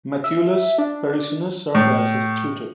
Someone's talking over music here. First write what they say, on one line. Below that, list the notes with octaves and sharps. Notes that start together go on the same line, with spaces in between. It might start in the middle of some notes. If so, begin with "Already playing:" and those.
Matheolus Perusinus served as his tutor.
E5
D4
A2